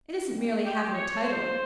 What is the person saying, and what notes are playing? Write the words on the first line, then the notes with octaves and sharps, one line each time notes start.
It isn't merely having a title.
D3 G3 G4
G4
C#5
D3 F3 G#3 C5